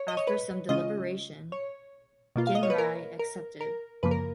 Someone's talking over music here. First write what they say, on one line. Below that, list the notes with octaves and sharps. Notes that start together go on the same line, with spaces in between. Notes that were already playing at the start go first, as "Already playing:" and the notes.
After some deliberation, Ginrai accepted.
Already playing: C#5
D#5
C#5
B4
C#3 G#3 C#4 F4 D#5
C#5
B2 A#3 F4
F5
D#5
C#5
B4
A#4
A#4
A#4
F#2 C#3 F3 A#3 B4
A#4